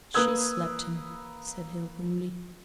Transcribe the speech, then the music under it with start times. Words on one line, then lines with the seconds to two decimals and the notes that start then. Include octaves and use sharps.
"She slapped him," said Hale grimly.
0.14 A#3 B4 D#6 E6 G#6